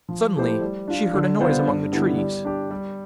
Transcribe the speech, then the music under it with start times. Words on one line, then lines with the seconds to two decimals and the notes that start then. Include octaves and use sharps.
Suddenly she heard a noise among the trees.
0.09 F3
0.36 A3 E4 G4 C5
0.61 G3
0.88 D4 F4
1.14 D3
1.40 G3 B3 F4 C5
1.66 G2
1.92 D3 G3 B3 E4
2.18 G3
2.45 D4 G4
2.71 G3